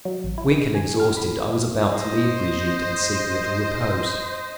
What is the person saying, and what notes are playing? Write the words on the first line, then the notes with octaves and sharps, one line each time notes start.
Weak and exhausted I was about to leave Brigitte, and seek a little repose.
F#3
A1
E4
D#3
G#5
F6
B5
C5 D#5